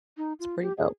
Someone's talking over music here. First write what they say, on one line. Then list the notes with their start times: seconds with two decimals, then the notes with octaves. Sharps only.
It's pretty dope.
0.17 D#4
0.40 F4
0.62 G4
0.78 G#4